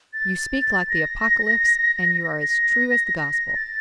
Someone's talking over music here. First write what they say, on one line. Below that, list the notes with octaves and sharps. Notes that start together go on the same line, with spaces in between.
You speak like the Apocalypse, and you are as true as the Gospel.
A6
A#6
A#6
A#6
A6